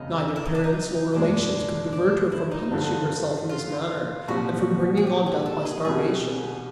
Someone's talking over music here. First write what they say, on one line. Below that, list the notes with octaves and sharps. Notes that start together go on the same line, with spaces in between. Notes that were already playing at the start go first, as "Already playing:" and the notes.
Neither parents nor relations could divert her from punishing herself in this manner and from bringing on death by starvation.
Already playing: F1 E2 C#3 D#4
E4
D#4
D4
D#4
F#1 E2 B2 G#3 D4
D4
E4
D#4
G2 D3 F3
F4
C2 A#2 F3 F#4
G#4
G4
G#4
A4
G#4
C2 B2 G3 G#4